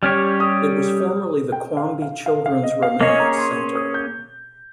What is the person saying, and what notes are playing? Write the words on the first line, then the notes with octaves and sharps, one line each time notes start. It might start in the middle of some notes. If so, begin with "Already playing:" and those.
It was formerly the Quamby Children's Remand Centre.
G3 C#4 G4 C#5 F6
D#6
G5
F5
F5
F5
F5
D#5
F5
A#3 C#4 G#4 C#5 D#5
A#5
C6
C6
D#6
G6